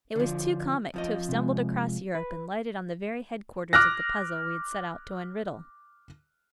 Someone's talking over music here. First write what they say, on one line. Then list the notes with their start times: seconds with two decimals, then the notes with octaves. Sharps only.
It was too comic to have stumbled across Europe and lighted on the very headquarters of the puzzle we had set out to unriddle.
0.15 D3 F3
0.94 F2 F3 D#5
1.29 C3 G#3
2.15 B4
3.73 D6 F6 F#6 A#6